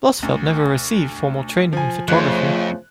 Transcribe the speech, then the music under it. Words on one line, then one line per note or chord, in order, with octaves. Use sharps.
Blossfeldt never received formal training in photography.
D2
F3 G#5
F2 C#3 F3 A3 F#6